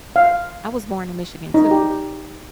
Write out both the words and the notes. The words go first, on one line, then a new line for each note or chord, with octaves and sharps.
I was born in Michigan too.
F5
D#4
G4